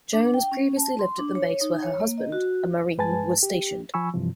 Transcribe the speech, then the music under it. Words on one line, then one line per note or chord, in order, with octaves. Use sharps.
Jones previously lived at the base where her husband, a Marine, was stationed.
D4
G5
C#4
A5
C6
D4
C#5
D#4
C#5
A#3
D#5
F#4
G2 G#3 B4 G#5 A5 A6
G4
F3 G#5 B5 C#6 E6
G2 C3 E3 F3